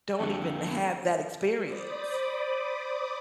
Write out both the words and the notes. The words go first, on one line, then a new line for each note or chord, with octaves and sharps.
don't even have that experience.
F2 D3
C5 D5 B5 D6 D#6